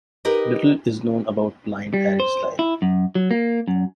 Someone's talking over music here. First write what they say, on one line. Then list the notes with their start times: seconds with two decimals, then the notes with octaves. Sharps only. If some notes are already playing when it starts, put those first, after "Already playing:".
Little is known about Blind Harry's life.
0.25 D#4 G4 A#4 B4 D#5
1.94 G3
2.20 C5
2.59 E4
2.82 F#2
3.15 F#3
3.31 A#3
3.68 F#2